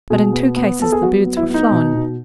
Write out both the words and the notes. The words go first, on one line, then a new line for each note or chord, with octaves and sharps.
But in two cases the birds were flown.
B2 G#4
B3
B3
B3 A4
G#4
F#3 F#4
B3
E4
B3
D#4
B2
B2